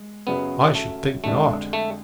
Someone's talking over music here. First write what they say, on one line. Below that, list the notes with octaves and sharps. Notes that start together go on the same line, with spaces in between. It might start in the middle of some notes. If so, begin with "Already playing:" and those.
"I should think not."
Already playing: G#3
F#2 C#3 F#3 B3 C#4 G#4
A3
F2 D3 G#3 A3
A3